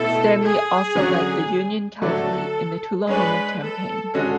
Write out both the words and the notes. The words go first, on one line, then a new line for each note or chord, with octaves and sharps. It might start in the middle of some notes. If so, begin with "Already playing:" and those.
Stanley also led the Union cavalry in the Tullahoma Campaign.
Already playing: B2 A3 E4 A4
G#4
D3 F#3 C#4
D3 F#3 A3 D4 A4
G#3 D4 G#4 B4 C#5
A4
D3 G#3 C#4 F#4 A4